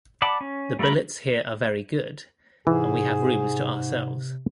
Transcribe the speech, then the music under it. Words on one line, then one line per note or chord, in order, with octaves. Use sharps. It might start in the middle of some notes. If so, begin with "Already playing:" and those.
The billets here are very good and we have rooms to ourselves.
D5 F#5 A5 B5 D6
C#4
G3 A3 F4 A#4 B5
G#2 C3 E3 G#4